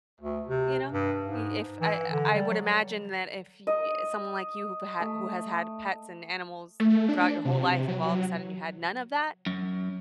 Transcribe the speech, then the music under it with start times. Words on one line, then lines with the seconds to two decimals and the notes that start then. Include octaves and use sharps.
you know? Y if I I would imagine that if y eh, someone like you, who who has had pets and animals, throughout your whole life, if all of a sudden you had none of that,
0.21 D2
0.48 C3
0.92 G2
1.23 G#2
1.81 E3
2.12 D3
2.34 G3
2.50 F#3
3.67 D#5
5.00 A3
6.80 A3
7.09 D4
7.45 C3
7.88 F#3
9.46 F#2